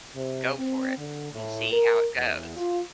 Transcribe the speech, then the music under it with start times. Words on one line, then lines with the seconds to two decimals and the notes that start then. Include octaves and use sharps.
go for it and see how it goes
0.15 C3
0.56 C4
0.97 D3
1.33 A2
1.72 A#4
2.16 E2
2.57 F4